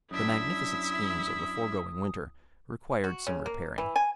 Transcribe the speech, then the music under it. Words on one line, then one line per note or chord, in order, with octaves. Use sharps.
The magnificent schemes of the foregoing winter required some repairing.
F#2 D4 E4 E5 D#6
F#4
C#3
A#3
E3
G#5